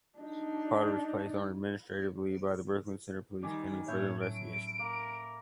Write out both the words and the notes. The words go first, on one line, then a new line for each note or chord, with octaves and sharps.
Potter was placed on administrative leave by the Brooklyn Center police pending further investigation.
D4 D#4
D#3 G3 D5 G#5 D6
A2 A3 A#3 C#4 E4 C#5 G6
F#3 D7
A#3 A#4